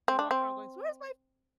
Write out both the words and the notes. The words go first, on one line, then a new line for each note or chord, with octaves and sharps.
they walk around going, "So where's my
C4
D4
C4